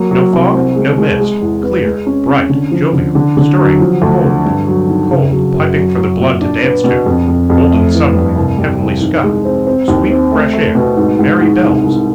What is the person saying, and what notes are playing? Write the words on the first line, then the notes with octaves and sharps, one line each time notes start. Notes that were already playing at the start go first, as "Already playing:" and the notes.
No fog, no mist; clear, bright, jovial, stirring, cold; cold, piping for the blood to dance to; golden sunlight; heavenly sky; sweet fresh air; merry bells.
Already playing: F#3 A#3
F#3
C2
C4
G#3
G#3
G#3
E2
B3
G#3
C#4
C#4
D3
F3
D3
D3
D3
F#3
F3
D2
D3
G2
F#3
D#3
C#3
F#3
F#2
F#3
F#3
A#2
D4
B3
B2
F2
F2
F2
A3
E3
G2
C2
G3
C2
D#3
G#3
C4
C4
D#2
C4
A3
A3
B2
G#2
G#2
G#2
C2
C2